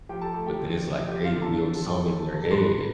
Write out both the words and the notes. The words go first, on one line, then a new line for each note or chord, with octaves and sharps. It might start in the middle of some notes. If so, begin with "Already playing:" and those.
but then it's like they build something in their head
F3 G4 G5
A4 A5
A3 A4 A5
G4 G5
F3
F3
F3 G4 G5
F4 F5
D3
A4 A5
F3
F3
E2
C3
C6
E2 B4 B5